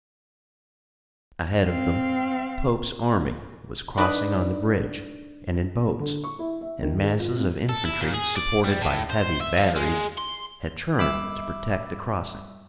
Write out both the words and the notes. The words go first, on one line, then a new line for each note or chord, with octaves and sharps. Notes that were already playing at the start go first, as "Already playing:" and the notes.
Ahead of them Pope's army was crossing on the bridge and in boats, and masses of infantry supported by heavy batteries had turned to protect the crossing.
C4 F5
D4 D#4 B4 D5 D#5
D3
C#6
E4
E5
D#3
G#4
F4
C3
A4
E4
A#2
G#4
D5
G3
A2
C5
E5
F3
G#3
C6
G3 E5 B5 D6 E6